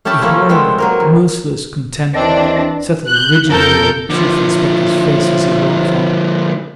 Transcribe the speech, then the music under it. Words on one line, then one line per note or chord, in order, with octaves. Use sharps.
A hard, merciless contempt settled rigidly on the Chief Inspector's face as he walked on.
A3 C#4 G4 A5 B5
F3 A3 A#3 C#4 E4 F4
G3 G#3 B3 C4
F#3 A#3 A#4
E2
D#2 E3 C4 D4 D5 D#5
F#6 G6
F2 C#3 A4 A#4 G6
D3 F3